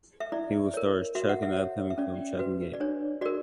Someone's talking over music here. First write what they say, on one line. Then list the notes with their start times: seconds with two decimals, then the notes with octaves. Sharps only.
He will star as Chuk in the upcoming film "Chuk and Gek".
0.20 E5
0.32 E4 D5
0.74 A#4 C#5
1.15 F#4 E5
1.29 F#5
1.42 E5
1.56 C#5
1.90 E5
1.98 C#4 D5
2.39 F#4 B4
2.74 D5
2.80 D4 C#5
3.21 F#4 A#4 D5